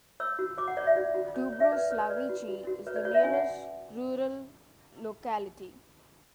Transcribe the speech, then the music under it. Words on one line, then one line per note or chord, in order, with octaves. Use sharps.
Dubroslavichi is the nearest rural locality.
C#5 E6
F#4
C#5 D6
F#5
C#5 D5
E5
F#4 D5
F#4
C#5
C#5
E5
B4 D5
B4 C#5
B4 D5
F#4
F#4
F#4
B4 C#5
D5
F#4 C#5
E5
C#4 G#5
F#5